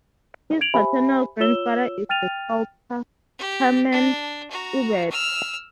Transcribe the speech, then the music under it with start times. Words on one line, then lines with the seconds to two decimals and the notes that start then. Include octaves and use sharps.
His paternal grandfather is the sculptor Hermann Schubert.
0.61 G#6 D7 F7 F#7
0.74 G4 C5 E5 G#5 B5
1.40 F4 C#5 E6 E7 G7
2.09 G5 F6 A6 D#7 F7
3.39 G4
3.91 D4
4.51 F#4 A#5
5.11 E6 F6